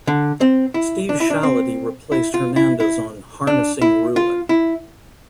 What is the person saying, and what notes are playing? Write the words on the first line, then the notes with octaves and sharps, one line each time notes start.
Steve Shalaty replaced Hernandez on "Harnessing Ruin".
D3
C4
E4
D4
E4
D4
C4
E4
F4
E4
E4
D4
E4
F4
E4